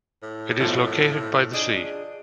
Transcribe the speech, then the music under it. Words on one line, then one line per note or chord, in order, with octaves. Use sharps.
It is located by the sea.
A2
G#1 B2 F3
D4 G#4 D#5